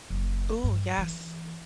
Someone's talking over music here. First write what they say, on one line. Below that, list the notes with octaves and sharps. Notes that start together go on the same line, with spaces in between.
Ooh, yes.
F#1 D4
G2
E3